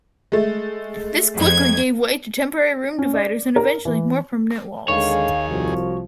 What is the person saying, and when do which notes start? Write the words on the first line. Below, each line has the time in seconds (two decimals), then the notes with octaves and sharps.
This quickly gave way to temporary room dividers and eventually, more permanent walls.
0.32 G#3 A3
1.36 F2 G#6
2.99 C#4
3.14 D5
3.56 A#4
3.85 E3
4.88 D#2 D3 D#3 G#3 G#4 C#5 F5
5.50 C2 F3 F#4